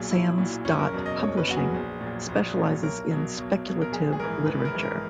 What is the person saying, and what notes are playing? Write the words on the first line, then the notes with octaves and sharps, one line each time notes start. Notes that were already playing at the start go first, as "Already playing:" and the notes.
Sam's Dot Publishing specializes in speculative literature.
Already playing: B1 A#2 F#3 G#4
B1 E4
A#2 F#3
F#1 C#4
A#4
E2 B2 F#3
D#5
F#1 C#5
B4
E2 B2 F#3 F#4
G#4
A#1
A#2 F#3
A#1
A#2 F#3
B1 A#4
B2 F#3
B1
B2 F#3
A#4
A#1 G#4
G#4
G#2 E3 A#4
A#1 B4
B4
A#4
G#2 E3
A#4